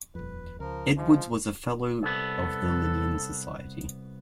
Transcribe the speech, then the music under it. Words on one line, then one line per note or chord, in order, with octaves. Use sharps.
Edwards was a Fellow of the Linnean Society.
D#1 F2 B4
C#2 F3 A#4
F3 G#3
C2 B3 A4